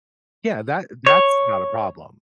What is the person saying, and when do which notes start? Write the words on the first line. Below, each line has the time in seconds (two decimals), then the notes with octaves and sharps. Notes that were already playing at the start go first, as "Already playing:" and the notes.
Yeah, that that's not a problem.
1.06 C#5